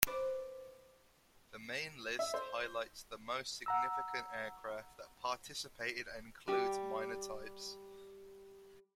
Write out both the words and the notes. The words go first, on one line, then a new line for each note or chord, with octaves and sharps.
The main list highlights the most significant aircraft that participated and includes minor types.
B4 C5 D5
E5
C5
F#5 A#5 E6
G3 G4